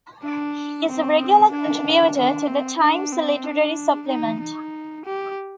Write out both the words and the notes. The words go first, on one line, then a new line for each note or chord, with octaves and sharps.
He is a regular contributor to the "Times Literary Supplement".
D4
C4
D4
D4
C4
D4
C4
D4
D#4
D#4
G4